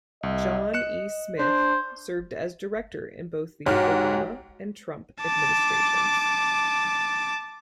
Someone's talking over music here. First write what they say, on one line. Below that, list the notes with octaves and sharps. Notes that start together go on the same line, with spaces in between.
John E. Smith served as director in both the Obama and Trump administrations.
C2 D#5
F#6 C#7 E7
D4 C5
G#2 G#3 F#4 G4 C#5 F#5 F6
A5 D6